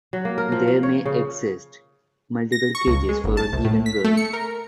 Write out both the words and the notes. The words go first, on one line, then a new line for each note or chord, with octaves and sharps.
There may exist multiple cages for a given girth.
F#3
A#3
A#4
F3
F3
C#5
C#3
A#6
C#6
C#2
G#3
G1
A5
C2
A2
B6
A3
C#7
A#4